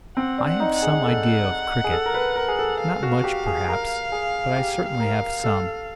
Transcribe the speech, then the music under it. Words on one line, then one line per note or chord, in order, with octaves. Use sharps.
I have some idea of cricket--not much, perhaps, but I certainly have some.
C4 F#5
D4
F#5
D#4
F#5
G#4
A4
G#4
A4
A#4
B4
A#4
G#4
A4
F5
F#4
G4
G#4
A#4
G#4
G4
A#4
A4